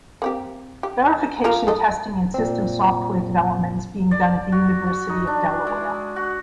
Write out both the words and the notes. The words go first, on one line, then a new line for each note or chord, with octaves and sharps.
Verification testing and system software development is being done at the University of Delaware.
A#3 C4 G4
G4
A#3 F4 A#4
G#4 A4 D#5
A#2 C4
D5
F#4
F#4
D#4
D4
G#3
F#4